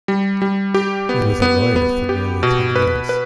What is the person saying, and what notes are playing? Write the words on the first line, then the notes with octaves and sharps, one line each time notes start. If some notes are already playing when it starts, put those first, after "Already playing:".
He was a lawyer for nearly ten years.
G3
G3
G4
B3
B3
B3
G4
B2
B4
B4